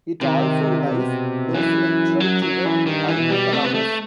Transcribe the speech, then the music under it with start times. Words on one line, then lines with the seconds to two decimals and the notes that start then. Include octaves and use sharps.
It also lies dorsolateral to the hypothalamus.
0.21 C3 D#3
0.88 B2
1.54 F#2 E3
2.20 F#3
2.43 F#3
2.65 E3
2.86 G2 D#3
3.08 E3
3.19 B2
3.30 G3
3.53 C3 A3
3.64 B3
3.74 A3